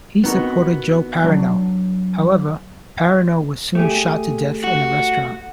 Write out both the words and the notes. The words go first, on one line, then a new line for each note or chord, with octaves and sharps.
He supported Joe Parrino; however, Parrino was soon shot to death in a restaurant.
B3 C4 D#4 F#4 A#4
F#3 D4
A3 G4 G#4
F#4